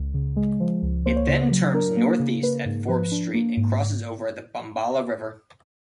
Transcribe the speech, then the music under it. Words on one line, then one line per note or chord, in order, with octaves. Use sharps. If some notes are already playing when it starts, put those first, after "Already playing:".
It then turns northeast at Forbes Street and crosses over the Bombala River.
Already playing: C#2
C#3
G#3
F3
C#2
A#3 C5
C#5
C#3 C5
F#3
D4 A#4
A#3
C#3
A#3 B4
G#2
F3 B4
D4
A#3
G#2